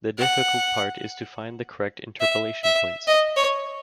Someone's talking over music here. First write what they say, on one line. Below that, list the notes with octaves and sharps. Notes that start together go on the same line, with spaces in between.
The difficult part is to find the correct interpolation points.
F#5
E5
E5
D#5
C#5